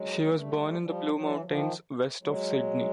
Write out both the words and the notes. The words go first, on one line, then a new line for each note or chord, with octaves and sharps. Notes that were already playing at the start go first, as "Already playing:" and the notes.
She was born in the Blue Mountains, west of Sydney.
Already playing: F#3 G#3
A#3
G3 A3
F3 G3
E3 F#3
F#3
D#3 F3
F#3 G#3